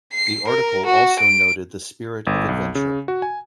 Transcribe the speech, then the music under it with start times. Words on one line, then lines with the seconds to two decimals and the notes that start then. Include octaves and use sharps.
The article also noted the spirit of adventure.
0.13 C7
0.48 A#4
0.86 F#4
1.20 D7
2.27 G1
2.49 B1
2.75 C#3
3.08 F#4
3.22 G#5